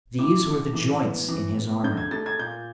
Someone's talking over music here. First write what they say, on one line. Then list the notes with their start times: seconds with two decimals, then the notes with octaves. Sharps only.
These were the joints in his armor.
0.18 A2 D6
0.45 A3
0.73 E3
1.01 B3
1.28 E3
1.57 B3
1.83 D3 G6
1.97 G#6
2.11 A3 A6
2.26 G#6
2.39 A#2 G6